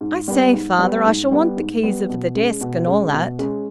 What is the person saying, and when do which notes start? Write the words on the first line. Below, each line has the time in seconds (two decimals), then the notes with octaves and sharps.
"I say, father, I shall want the keys of the desk, and all that."
0.01 G#2
0.28 G3 B3
0.53 G#2
0.79 G3 B3
1.05 G#2
1.31 G3 B3
1.57 G#2
1.83 G3 B3
2.09 B2
2.35 G#3 C#4
2.61 B2
2.87 G#3 C#4
3.13 B2
3.39 G#3 C#4